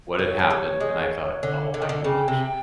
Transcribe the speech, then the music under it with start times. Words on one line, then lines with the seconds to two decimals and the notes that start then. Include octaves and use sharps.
what had happened, and I thought, "Oh my gosh."
0.18 F#3 C#5
0.39 F#3
0.50 G3
0.80 G#3
1.43 D3
1.74 D3
1.82 D#3
1.89 D3
2.04 C#3 G5
2.28 C3